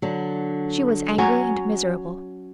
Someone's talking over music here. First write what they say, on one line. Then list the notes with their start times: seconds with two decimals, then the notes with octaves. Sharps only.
She was angry and miserable.
0.02 D3 F#3
1.18 F#3 C#4 G#5